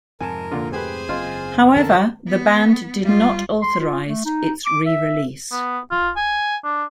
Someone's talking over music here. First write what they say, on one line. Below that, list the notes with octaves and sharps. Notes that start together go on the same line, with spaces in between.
However, the band did not authorize its re-release.
F2 G#2 C3 A#4 G#5 A5
A#2 D3 F4
A3 G4 G#4 B4 C5 G#5
F#1 E2 C4 F4 D#5 C6
F2 D3 E3 A4 A#4 A5
B3
G3 F4
C6
F4
A3
D#4
D6
E5
B3
F4
G#5
D4